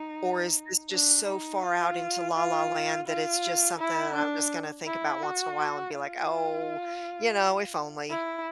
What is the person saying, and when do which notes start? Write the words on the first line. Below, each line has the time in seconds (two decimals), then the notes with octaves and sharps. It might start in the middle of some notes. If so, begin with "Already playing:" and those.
or is this just so far out into la, la, land that it's just something that I'm just gonna think about once in a while, and be, like, "Oh, you know, if only"
Already playing: D#4
0.91 D4
1.28 D#4
1.63 F4
2.35 F4
3.07 F4
3.78 E4
4.15 D4
4.87 E4
5.23 F#4
5.95 F4
8.10 E4